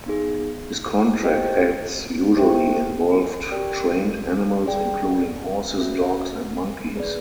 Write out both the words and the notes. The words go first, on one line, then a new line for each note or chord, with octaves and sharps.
His contract acts usually involved trained animals including horses, dogs and monkeys.
B3 D#4 G#4
E4 G4 C5 D#5 G5
G4 C5 E5 G5
G4 A#4 D5 G5
G#4 B4 D5 G5
C#4 F#4 B4 E5
G#4 B4 D5